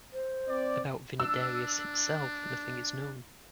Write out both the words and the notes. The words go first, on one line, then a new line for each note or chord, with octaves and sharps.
About Vinidarius himself nothing is known.
C5
C4 D5
D4 E6